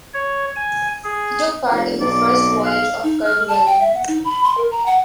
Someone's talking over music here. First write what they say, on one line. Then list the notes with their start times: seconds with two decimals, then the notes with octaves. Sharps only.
He took part in the First voyage of Kerguelen.
0.14 C#5
0.56 G#5
1.04 G#4
1.71 F1
2.01 B1 D5
2.66 F5
3.04 D#4
3.24 F6
3.48 A5
3.66 G5
3.81 E5
3.94 F#5
4.08 D#4
4.24 B5
4.44 C6
4.57 A#4
4.71 A#5
4.86 F#5